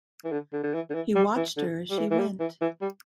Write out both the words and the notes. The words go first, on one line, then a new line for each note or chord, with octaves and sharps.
He watched her as she went.
E3
D3
D3
D3
E3
D3
E3
G3
E3
D3
G3
E3
E3
G3
E3
E3
G3